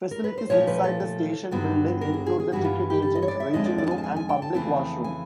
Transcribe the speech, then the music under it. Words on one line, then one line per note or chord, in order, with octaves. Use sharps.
Facilities inside the station building include the ticket agent, waiting room and public washroom.
A#4
B4
C5
A#2 F3 A3 C#5
B4
A4
A4
G2 D3 F#3 B3
A#4
G#4
G#4
G#4
G2 E3 G3 F#4
F4
G4
A4
D#5
C#5
D5
E5
F2 D3 F3 G#3 C4 D#5
D5
D5
A5
G#5
A5
G#5
G#5
G5
A5
F2 C#3 E3 A3 C4
G#5